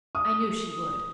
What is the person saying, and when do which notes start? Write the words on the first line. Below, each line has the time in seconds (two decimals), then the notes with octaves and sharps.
I knew she would.
0.15 D#6